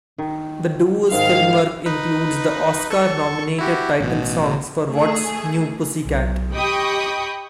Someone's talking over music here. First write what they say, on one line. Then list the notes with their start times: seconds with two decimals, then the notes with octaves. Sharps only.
The duo's film work includes the Oscar-nominated title songs for What's New Pussycat?
0.18 D#3
1.13 G#2 D#3 F5
1.86 D#4 B4
2.90 A4 C#6
3.58 E4 F#4 G4
3.99 A1 B2
4.89 A3 G#4
6.04 B1
6.54 G4 D#5 G5 B5 C#6 D#6